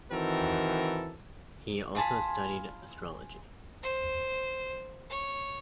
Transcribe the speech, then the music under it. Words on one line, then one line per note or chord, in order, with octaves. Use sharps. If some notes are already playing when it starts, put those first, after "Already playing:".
He also studied astrology.
D#3 E3 C4 F#4 A4 A#4
F4 G#4 A5 B5
C5
C#5